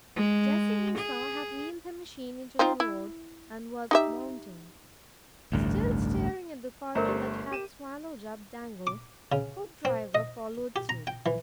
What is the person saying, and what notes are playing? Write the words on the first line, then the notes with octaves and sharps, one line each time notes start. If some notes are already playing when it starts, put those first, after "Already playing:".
Jessie, he saw, had wheeled her machine into the road and was mounting. Still staring at the corner that had swallowed up Dangle, Hoopdriver followed suit.
G#3
G#4
C4 D#4 F4
E4
D#4 G4 E5
A1 D2 G2
G1 A3 A#4 C5 E5 A#5
G4
G4 D#7 E7
D6
C#3
C4
D#5
G4
A#5
G5
E3